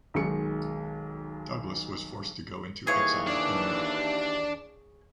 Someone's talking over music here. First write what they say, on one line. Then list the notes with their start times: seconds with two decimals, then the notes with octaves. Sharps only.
Douglas was forced to go into exile in Europe.
0.14 B1 D#3 G#3 C#7
2.87 D#2 E3 G#4 C#5 F5
3.27 D4 D5